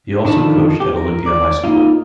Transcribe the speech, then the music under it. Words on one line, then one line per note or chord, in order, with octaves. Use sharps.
He also coached at Olympia High School.
D3 D#3 F3 A5 B5
G4
A#4
D5
A#3 D#4 F4